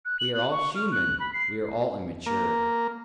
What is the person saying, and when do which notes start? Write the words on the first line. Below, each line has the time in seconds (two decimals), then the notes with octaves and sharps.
We are all human, we are all immature.
0.05 F#6
0.19 F#7
0.33 F#6
0.50 C#6
0.75 F6
0.91 F#6
1.20 B5
1.33 C7
2.26 A#3